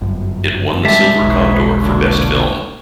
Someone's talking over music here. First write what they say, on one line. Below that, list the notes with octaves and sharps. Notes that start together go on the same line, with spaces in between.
It won the Silver Condor for Best Film.
G1 F#2
C3 G3 G#3 E5 A5
E1 B1 D#4 B4 C#5
A#2 D3 C#5